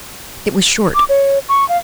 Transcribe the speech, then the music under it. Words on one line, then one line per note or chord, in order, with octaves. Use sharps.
It was short.
D6
C#5
C#6
F5